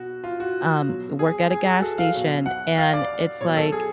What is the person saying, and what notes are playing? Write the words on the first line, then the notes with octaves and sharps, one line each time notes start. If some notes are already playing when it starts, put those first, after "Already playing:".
um, work at a gas station, and it's like
Already playing: B2 F#4
F4
F#4
B2 F#3
G#4
G#4
F#4
A4
F5
B2 F#3
F#5
F5
D5
B2 F#3 C#5
A4
G#4